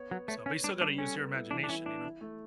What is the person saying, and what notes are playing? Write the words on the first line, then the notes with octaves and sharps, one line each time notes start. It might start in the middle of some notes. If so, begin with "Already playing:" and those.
So but you still gotta use your imagination, you know?
Already playing: B3 C#5
F#3 B3
A3 C#5
C#4 C#5
G3 D4
G3 D4
C#4 A4
B3
E4
E3 D4
D4
C#4 E4
D4 E4
E4
A3